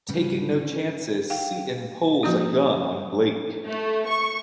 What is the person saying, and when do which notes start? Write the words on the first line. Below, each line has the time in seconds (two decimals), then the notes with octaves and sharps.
Taking no chances, Seton pulls a gun on Blake.
0.09 G#2 C#3 G3 C#4 B4
0.56 C#4
1.30 F5 G5
2.23 F3 A#3 C#4 F#4
3.66 A3
4.07 C#6